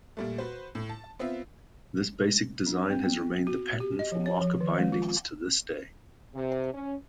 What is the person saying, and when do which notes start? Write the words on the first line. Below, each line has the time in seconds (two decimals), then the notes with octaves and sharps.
This basic design has remained the pattern for Marker bindings to this day.
0.17 A#2 G3 A3
0.38 F#4 B4 C5
0.75 A2
0.89 A5
1.19 B3 C4 F4 E5
2.67 D4
2.90 C4
3.04 B3
3.47 F#4
3.80 G4
3.99 D#5
4.12 F3
4.26 C#5
4.41 F3
4.61 D#3
4.79 G#3
4.92 F4
6.35 C3
6.73 C#4